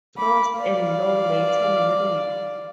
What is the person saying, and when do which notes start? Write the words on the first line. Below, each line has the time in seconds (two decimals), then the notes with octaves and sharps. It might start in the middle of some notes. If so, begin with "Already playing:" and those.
Frost and Law later married.
0.17 B5 D6
0.56 D5 F5